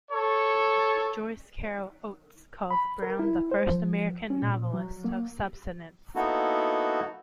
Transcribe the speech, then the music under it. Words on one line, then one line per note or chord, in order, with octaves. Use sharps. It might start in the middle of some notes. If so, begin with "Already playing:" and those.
Joyce Carol Oates calls Brown "the first American novelist of substance".
A4 C#5
B5
A#4
E4
C5
F3
C#4
A#2
F#3
A#3
A#3 B3 D#4 E4 F#4 A4